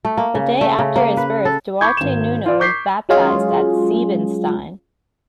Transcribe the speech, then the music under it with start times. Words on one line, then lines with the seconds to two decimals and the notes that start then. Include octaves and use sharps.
The day after his birth, Duarte Nuno was baptised at Seebenstein.
0.05 A3
0.18 A#3
0.35 C#3
0.61 A3
0.79 C#3
0.96 A#3
1.17 B4
1.45 A4
1.81 B5 C#6 D6 G6 G#6
1.97 G#1 E7
2.46 F4 D5
2.60 C#6 D6 G6 B6 C7
3.09 F#3 G#3 C#4 F4 G#4